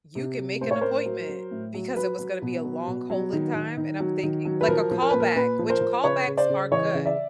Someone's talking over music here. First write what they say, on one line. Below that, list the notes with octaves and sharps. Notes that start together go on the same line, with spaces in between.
"You can make an appointment" because it was gonna be a long holding time and I'm thinking like a callback, which callbacks are good
C3
C3
A2 C5
C#5
A2 A#4 C5
F#3
F#3
A2
F#3
F#3 B4
F#3
B2
F#3
B2
F#3
D#3
D#3
D#3
F#3
D#3
F#3
B4
F3 A#4
F3
A#4
A#2 B4
A#4
A#2 B4
F3
A#4 C5
F3
C#3 B4 C#5
C#3
C5 D5
C#3
E3 C#5 D#5
C#3
D5 E5